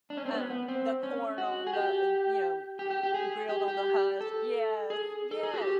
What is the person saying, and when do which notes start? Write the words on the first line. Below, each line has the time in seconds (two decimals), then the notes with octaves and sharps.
um, the corn on the uh, you know, eh eh, grilled on the husk. Yes. Yes.
0.10 D4
0.17 C#4
0.25 C4
0.33 B3
0.50 B3
0.68 C4
1.03 C#4
1.38 F#4
1.67 G#4
1.73 G4
2.79 G4
2.90 G4
3.03 G4
3.14 G#4
3.49 G4
3.68 G4
4.21 A4
4.90 G#4
5.31 A4
5.43 G#4
5.54 F#4
5.61 G4